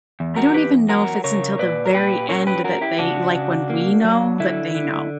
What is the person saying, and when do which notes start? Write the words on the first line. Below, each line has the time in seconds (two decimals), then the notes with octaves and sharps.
I don't even know if it's until the very end that they like when we know that they know.
0.20 E2
0.36 F#4 A#4
0.54 E2 G4 B4
0.89 F#3 F#4 A#4
1.24 C#3 A#4 C#5
1.59 A#2 B4 D5
1.86 A#4
1.94 A#2 G4 B4
2.29 C#4 A#4 C#5
2.47 G4 B4
2.64 F#3 F#4 A#4
2.82 E4 G4
2.99 C#3 D4 F#4
3.35 C#3
3.70 A#3
4.04 F#3
4.40 D3 E4
4.75 D3